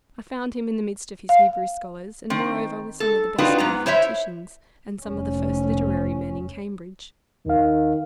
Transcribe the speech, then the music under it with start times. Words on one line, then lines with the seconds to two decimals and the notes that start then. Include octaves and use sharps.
I found him in the midst of his Hebrew scholars, and moreover with some of the best mathematicians, and some of the first literary men in Cambridge.
1.29 F5
2.30 D#3 C4
3.00 A4
3.38 C4 D4 D#4 F4 F#4 B4
3.58 G#2 B3 A#5
3.86 E4 C5 C#5 E5
5.05 F1 C#4
7.46 D#2 D#3 F5